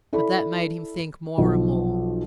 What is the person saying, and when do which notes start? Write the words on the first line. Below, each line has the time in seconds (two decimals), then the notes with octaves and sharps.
But that made him think more and more.
0.13 E4 A4 D5 B5
1.38 B1 F3